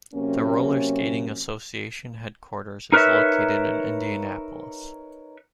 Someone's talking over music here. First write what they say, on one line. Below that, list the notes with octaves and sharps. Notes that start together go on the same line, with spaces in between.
The Roller Skating Association headquarters is located in Indianapolis.
C3 F#3 A#3 C#4
D#4 A#4 B4 C#5 E5